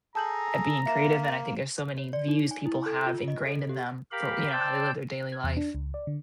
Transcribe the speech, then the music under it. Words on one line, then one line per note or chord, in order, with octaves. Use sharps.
at being creative and I think there's so many views people have ingrained in them for, you know, how they live their daily life.
G#4 A4 A5 A#5 G6 F#7
A#3 E5 A#6 E7
C#5
D5
D#4
G#5
E4
A4
F4
D#5
A4
G4
G4 A#4 F5 B5
C5 D5 G5 A5 E6 G6
G#6
E2
D4
C#2
D5
D3